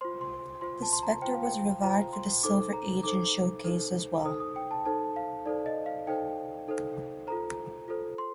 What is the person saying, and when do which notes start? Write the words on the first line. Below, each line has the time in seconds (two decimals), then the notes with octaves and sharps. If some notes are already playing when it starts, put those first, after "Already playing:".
The Spectre was revived for the Silver Age in "Showcase" as well.
0.01 F4 C5 C6
0.21 C6
0.61 F4 C5 C6
0.82 A5
0.93 C6
1.02 A#5
1.22 F4 C5 G5
1.34 F5
1.43 G5
1.82 F4 C5 A#5
2.13 C6
2.43 D#4 A4 C5 D6
2.73 A#5
3.03 D#4 A4 C5 D6
3.64 D#4 A4 C5
4.25 D#4 A4 C5 D#6
4.40 D#6
4.56 G5
4.71 A5
4.85 D#4 A4 C5 A5
5.16 F5
5.46 D#4 A4 C5 D5
5.66 D#5
5.86 F5
6.07 D#4 A4 C5 G5
6.68 D#4 A4 C5
7.27 F4 A4 C5 A#5
7.88 F4 A4 C5
8.18 C6